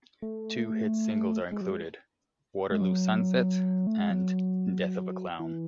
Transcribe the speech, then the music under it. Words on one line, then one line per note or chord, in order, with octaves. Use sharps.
Two hit singles are included: "Waterloo Sunset" and "Death of a Clown".
A3
G#3
F#3
G#3
G#3
F#3
A3
G#3
F#3
E3